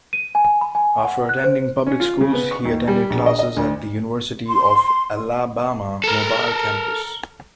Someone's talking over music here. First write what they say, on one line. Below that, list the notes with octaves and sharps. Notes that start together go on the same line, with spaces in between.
After attending public schools, he attended classes at the University of Alabama, Mobile campus.
D#7
G#5
B5
G#5
F#5
F#6
C5
C#4
F4
C#3
B3
C#6
D#2
G3
A#1
D#5
D#5
D2
C6
A4 A#4